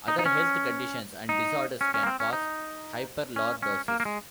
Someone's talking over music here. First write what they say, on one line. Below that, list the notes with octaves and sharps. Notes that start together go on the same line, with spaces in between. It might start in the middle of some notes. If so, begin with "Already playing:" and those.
Other health conditions and disorders can cause hyperlordosis.
D#4
D#4
C#4
D#4
C#4
C#4
A#3
C4
C#4
D#4
C#4
C#4
A#3
A#3
G#3